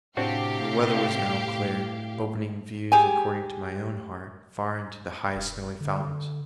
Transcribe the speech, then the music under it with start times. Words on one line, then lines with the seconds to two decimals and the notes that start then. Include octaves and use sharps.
The weather was now clear, opening views according to my own heart far into the high snowy fountains.
0.17 A2 C3 C4 D4 F#4 G4 F5
2.92 G4 G#4 G#5
5.36 E1
5.81 D3